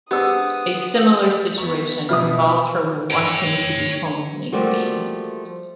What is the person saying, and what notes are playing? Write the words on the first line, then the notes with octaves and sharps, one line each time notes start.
A similar situation involved her wanting to be Homecoming Queen.
G#3 B3 C4 D4 G4 D#6 E6
E3 B3 C#6
B2 F3 B4 E5 D#6 F6
C#5 G5
F3 G3 A3 A#3 F#4 G4